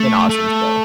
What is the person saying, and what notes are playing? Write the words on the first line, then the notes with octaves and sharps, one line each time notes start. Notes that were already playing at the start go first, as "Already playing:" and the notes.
an awesome skill.
Already playing: A3
A3